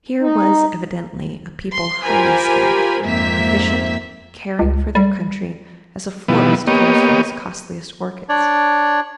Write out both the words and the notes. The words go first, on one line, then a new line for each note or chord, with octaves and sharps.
Here was evidently a people highly skilled, efficient, caring for their country as a florist cares for his costliest orchids.
D#4
C6
F4 G4 A#4 C5 G#5 B5
F2 G#2 A#3 C4 E5 B6
C#2
G3
B2 D#3 F3 G3 B3 E4
A#3 B3 G4 C#5 D#5
D4 C#5 D5